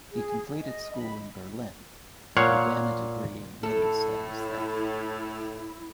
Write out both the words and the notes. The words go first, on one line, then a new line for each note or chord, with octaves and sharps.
He completed school in Berlin, and began a degree in media studies there.
G#4
D#5
B5
A#2 C#5 F5 F#5
A2 E4 A4